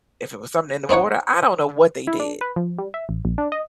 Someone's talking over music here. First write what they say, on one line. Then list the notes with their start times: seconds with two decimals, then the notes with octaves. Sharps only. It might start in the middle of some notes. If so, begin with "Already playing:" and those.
if it was something in the water, I don't know what they did,
0.89 B3 C4 D#4 C#5 F#5
2.07 E4
2.20 D4
2.41 B4
2.56 F3
2.78 G3
2.94 E5
3.09 A1
3.25 A#1
3.38 D4
3.52 D#5